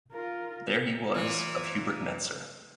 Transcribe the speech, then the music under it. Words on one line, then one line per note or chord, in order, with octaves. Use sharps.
There he was of Hubert Netzer.
F4 A#4
A#2 E3